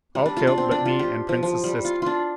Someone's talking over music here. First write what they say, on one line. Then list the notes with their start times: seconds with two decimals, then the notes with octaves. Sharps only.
All killed but me and Prince's sister.
0.15 G3
0.26 D4
0.37 F4
0.47 D4
0.58 C4
0.71 D4
0.85 F4
0.99 G4
1.29 F3
1.43 F3
1.64 G3
1.85 F4
2.02 D4 F4